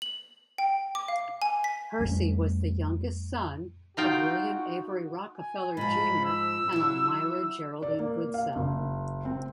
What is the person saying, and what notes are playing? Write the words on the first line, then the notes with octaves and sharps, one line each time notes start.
Percy was the youngest son of William Avery Rockefeller Junior and Almira Geraldine Goodsell.
F#7
G5
D6
F5
G#5
B6
F2 G3 A3 C#4
D#4 F4 F#4 G5
G#5
G#2 F3 B5
E6
F#3 E4
D5
A#3
F5
F#1
C4